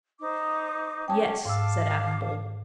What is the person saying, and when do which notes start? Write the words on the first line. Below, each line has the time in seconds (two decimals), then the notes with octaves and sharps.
"Yes," said Adam boldly.
0.20 D#4 C5 D6
1.08 C#4 G5 A5 D6
1.45 G#2 F5 A5 D6 E6